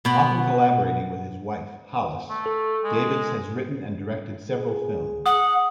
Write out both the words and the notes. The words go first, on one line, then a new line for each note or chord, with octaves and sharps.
Often collaborating with his wife, Hollace, Davids has written and directed several films.
B2 B3
A3
A4
G#3
G#4
F#5 D#6